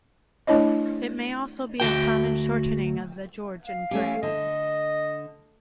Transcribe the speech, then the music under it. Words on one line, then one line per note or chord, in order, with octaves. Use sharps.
It may also be a common shortening of The George and Dragon.
A3 D4 E4 C#5 D#5
D2 F#4 G5
F5
A3 C#4 G4
D3 D#5